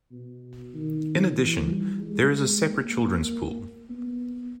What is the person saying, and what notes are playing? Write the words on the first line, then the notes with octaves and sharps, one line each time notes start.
In addition, there is a separate children's pool.
B2
D#3
E3
G3
G#3
A#3
B3